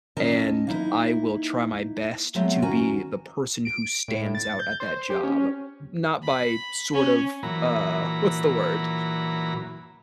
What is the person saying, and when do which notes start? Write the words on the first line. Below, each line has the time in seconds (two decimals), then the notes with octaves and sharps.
and I will try my best to be the person who stands out at that job, n not by, sort of uh, what's the word?
0.17 D#3 C#4 D#5 A5
0.67 A#3 D#4 E4
2.35 F#3 G#3 A3 B3 C4
2.62 D#3 C#4 F#4 G#5 A#5
3.65 D7
4.08 A2
4.35 A6
4.59 G6
4.80 C5
4.96 C5
5.10 G4
5.24 C#4
6.23 B5
6.93 C#4 C#5
7.43 A#2 E3 F#3 A#5 B5